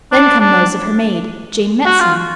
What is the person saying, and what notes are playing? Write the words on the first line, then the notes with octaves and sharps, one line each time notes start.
Then come those of her maid, Jane Metson.
D4
D4
F#4
F4